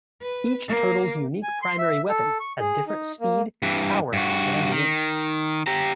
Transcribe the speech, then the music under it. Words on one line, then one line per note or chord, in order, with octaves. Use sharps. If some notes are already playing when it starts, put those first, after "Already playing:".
Each turtle's unique primary weapon has different speed, power and reach.
B4
A#3
G#5
C6
E5
A4
C#6
G#4
D#4
A#3
G2 E3
G2 F#4
D#3
G4 A#5